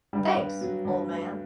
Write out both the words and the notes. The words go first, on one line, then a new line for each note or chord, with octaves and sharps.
Thanks, old man.
G2 G3
G2
F#3
G2
A3